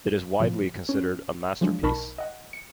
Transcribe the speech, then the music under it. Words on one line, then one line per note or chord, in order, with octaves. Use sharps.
It is widely considered a masterpiece.
A2 C3 F3
C#4
F3 F#3 G#3 D4
B1 D#4 A#4 A5 B5 C#6
D#5 F#5
C#7